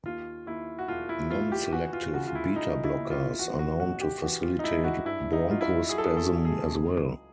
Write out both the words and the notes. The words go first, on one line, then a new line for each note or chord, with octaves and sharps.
Non-selective beta blockers are known to facilitate bronchospasm as well.
D#2 F4
D#2 E4
F#4
E1 F4
E4
D#2 F4
G4
E3 F#4
F4
C#3 F#4
F4
E4
G#3 D#4
E4
D#2
F4
E3 F#4
F#4
A#1 F#4
G4
E3 F#4
F4
D#4
G#3 E4
F#4
G2 E4
D#4
F#3 F4
E4
F#3 G#4
A4
G#4
A4
F#3
G#4
C#2